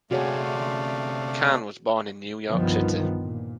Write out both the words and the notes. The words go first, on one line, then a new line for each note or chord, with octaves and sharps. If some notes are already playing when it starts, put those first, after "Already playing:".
Kahn was born in New York City.
C3 A3 C#4 F#4 G#4 C#5 D5 F5
G1 C2 G2 D#3 F3 B3
A#2